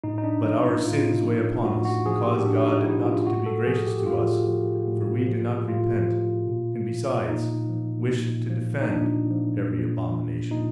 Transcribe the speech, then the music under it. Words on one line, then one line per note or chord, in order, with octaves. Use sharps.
But our sins weigh upon us and cause God not to be gracious to us; for we do not repent, and, besides, wish to defend every abomination.
A2 D#4
D#4
D4
F3 D#4
E4
A2 F4
F3
A2 F#4
F#4
F3 G#4
G4
A2 D4
D#4
F3 E4
F4
A2 F#4
A4
F3 G#4
G4
A2 F4
F3
A2
F3
A2 F4
F3
A#2
F3
A#2 D#4
F3
A#2
F3
D#4
A#2 D4
F3
A#2
F3
A#2 D#4